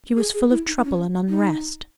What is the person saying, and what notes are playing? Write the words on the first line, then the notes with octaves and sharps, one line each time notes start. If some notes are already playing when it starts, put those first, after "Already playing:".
She was full of trouble and unrest.
G#4
G#4
E4
D#4
D#4
C#4
D#4